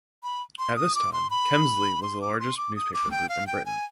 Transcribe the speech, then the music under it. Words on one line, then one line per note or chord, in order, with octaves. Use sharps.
At this time, Kemsley was the largest newspaper group in Britain.
B5
C6
D#6
D6
C6
B5
C6
D6
C6
D6
D#6
D6
G5
F5
G5
G#5